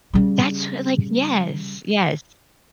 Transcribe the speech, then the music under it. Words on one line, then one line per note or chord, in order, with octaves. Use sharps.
That's what like, yes. Yes.
C#3 G3